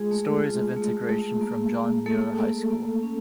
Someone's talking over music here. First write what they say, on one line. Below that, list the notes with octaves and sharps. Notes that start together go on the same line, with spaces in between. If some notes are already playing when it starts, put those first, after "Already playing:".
Stories of Integration from John Muir High School.
Already playing: G#3 F4 G#4
A3
F4
A3
A3
A#3
A#3
A3 A#3 A4
A#3
A#3
C#4